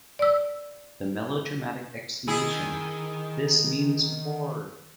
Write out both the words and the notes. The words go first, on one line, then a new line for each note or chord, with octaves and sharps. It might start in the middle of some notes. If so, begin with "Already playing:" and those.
The melodramatic exclamation This means war!
D5 E6
D#3 E4 G#4